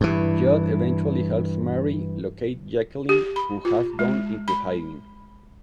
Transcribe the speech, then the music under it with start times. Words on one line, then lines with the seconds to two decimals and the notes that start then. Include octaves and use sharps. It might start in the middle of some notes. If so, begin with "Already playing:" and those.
Judd eventually helps Mary locate Jacqueline, who has gone into hiding.
0.01 G2 E3
3.09 G4
3.36 B5
3.65 F4
3.99 G#3
4.48 B5